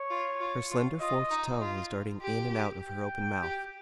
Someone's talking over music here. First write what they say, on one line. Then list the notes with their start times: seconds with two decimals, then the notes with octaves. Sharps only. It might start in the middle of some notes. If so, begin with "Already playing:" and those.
Her slender forked tongue was darting in and out of her open mouth.
Already playing: C#5
0.10 F4
0.40 F4
0.70 F4
1.00 F4 D#5
1.31 D#4
1.61 F4
2.22 G4
2.82 G5
3.43 G4